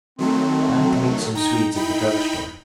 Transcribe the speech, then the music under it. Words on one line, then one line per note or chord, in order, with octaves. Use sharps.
I'm to meet some Swedes at the drug-store.
D#3 F#3 A3 C4
D#4 G5 A#5
D#4 E4 G5 B5